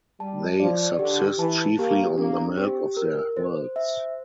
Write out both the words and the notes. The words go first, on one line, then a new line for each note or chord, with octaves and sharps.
They subsist chiefly on the milk of their herds.
G3 A5
F3 D5
D3 G4
E3 A5
A#3 G4
A#3 D4
C4 G4
A#4
C5
E5